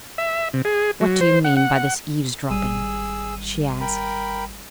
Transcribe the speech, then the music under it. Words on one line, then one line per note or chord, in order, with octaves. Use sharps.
'What do you mean by this eavesdropping?' she asked.
E5
C3
G#4
F#3
C5
F#5
F#5
F#5
G#1 G3 G#4 E6 D#7
A#4 G5 B5